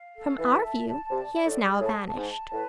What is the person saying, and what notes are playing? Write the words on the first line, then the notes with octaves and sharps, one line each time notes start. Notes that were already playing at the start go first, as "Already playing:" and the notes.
From our view he has now vanished.
Already playing: F5
A4
E3 E5
A5
A5
C3 D5
D5
A2
G#4
A2 A5
A5
G#2
A5
A2 B4